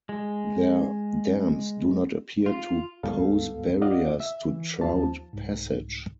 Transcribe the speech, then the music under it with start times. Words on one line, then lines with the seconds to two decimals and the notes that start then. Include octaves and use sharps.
Their dams do not appear to pose barriers to trout passage.
0.09 G#3
2.46 F4
3.03 D2 G#2 G3 B3 A4 F5
3.82 F4 D5 D#5 F5 F#5
4.20 E5
4.48 E3
4.81 D#2 F3 A5
5.33 C2 G#2